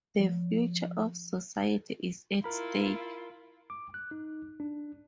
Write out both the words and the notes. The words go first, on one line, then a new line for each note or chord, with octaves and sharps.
The future of society is at stake.
F3
E4 F4 A#4 B5
D6
F#6
D#4
D4